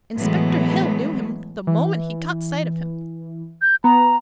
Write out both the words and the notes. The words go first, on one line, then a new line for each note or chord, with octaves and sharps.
Inspector Hill knew him the moment he caught sight of him.
A2 E3 F#3 G#3 A3 B3
E3
G6
B3 A#5